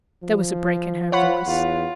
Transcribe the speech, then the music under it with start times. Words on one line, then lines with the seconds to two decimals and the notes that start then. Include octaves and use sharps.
There was a break in her voice.
0.23 F3
1.12 F4 C#5 F#5 B5
1.46 E2 F4